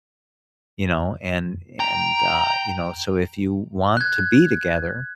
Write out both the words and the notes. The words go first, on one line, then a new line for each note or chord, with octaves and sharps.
you know, and and, uh, you know, "So if you want to be together,"
G5 A#5
F#6 G#6